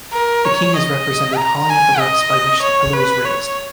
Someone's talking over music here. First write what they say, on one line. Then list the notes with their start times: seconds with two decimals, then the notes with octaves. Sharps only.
The king is represented hauling at the ropes by which the pillar is raised.
0.13 A#4
0.45 C#5
0.76 D#5
1.37 A#5
1.69 G#5
2.00 D#5
2.62 C#5
2.93 B4
3.25 C#5